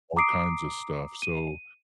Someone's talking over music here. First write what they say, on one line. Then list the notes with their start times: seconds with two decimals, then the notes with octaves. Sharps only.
all kinds of stuff, so,
0.16 A#5 D6 D#6 C7 D7
1.22 D#7